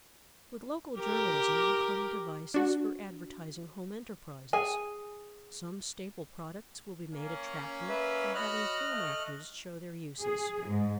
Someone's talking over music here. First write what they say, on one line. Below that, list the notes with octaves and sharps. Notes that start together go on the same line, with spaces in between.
With local journalism will come devices for advertising home enterprises. Some staple products will be made attractive by having film-actors show their uses.
G4 A#4
D4 F#4
G#4 G#5
A#3 C#4
B4 E5
F#4 C#5 D#5 B5 F6 F#6
A3
G#4
G#2